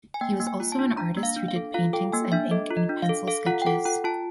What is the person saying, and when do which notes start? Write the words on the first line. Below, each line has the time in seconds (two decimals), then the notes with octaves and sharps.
He was also an artist who did paintings and ink and pencil sketches.
0.14 G#5
0.21 A#3 G5
0.40 A#3
0.47 G#5
0.60 F4
0.72 A5
0.79 D4
0.97 D4 A#5
1.17 A#3
1.23 F5
1.36 D4
1.48 F5
1.56 A4
1.74 F4 F5
1.93 A4 G5
2.12 A#3 G#5
2.32 D4 E5
2.51 A4 D#5
2.71 F4
2.77 D#5
2.89 D4
3.02 F5
3.09 A4
3.27 A4 F5
3.46 F4 F#5
3.62 G5
3.66 A4 F#5
3.85 F4 G5
4.04 F4 A5